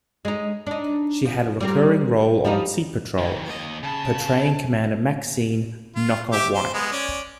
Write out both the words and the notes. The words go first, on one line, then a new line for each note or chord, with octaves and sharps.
She had a recurring role on "Sea Patrol" portraying Commander Maxine "Knocker" White.
G#3 D#4
D4 D#4
F3
G3 C4 A#4
F3 G3 D#4
D#3 E3
D#2 D#5
C#3 A5
F4
G4 E5 D6
C5
G#3 B3
C#4 D5